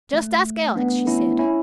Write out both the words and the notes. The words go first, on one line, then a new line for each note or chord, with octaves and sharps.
"Just ask Alex," she said.
A3
B3 D4
C#4 E4
C#4 E4